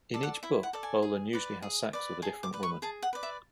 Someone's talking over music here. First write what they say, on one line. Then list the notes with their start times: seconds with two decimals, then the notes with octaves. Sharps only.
In each book, Bolan usually has sex with a different woman.
0.14 A4 D5
0.23 F#5
0.43 E4 E5
0.63 F#5
0.73 A4 D5
0.83 G#5
1.03 G#4
1.33 B4 D5
1.63 G#4
1.93 B4 D5
2.22 G#4 A5
2.43 D6
2.53 B4 D5
2.63 C#6
2.82 G#4 A5
3.02 F#5
3.13 B4 D5
3.23 E5